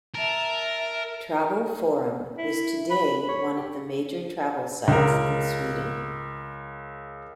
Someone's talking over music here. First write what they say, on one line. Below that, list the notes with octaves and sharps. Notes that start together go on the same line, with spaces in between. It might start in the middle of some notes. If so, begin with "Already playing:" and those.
Travel Forum is today one of the major travel sites in Sweden.
A#4 E5 A5
E4
B5
C#5
G4
C#2 A#4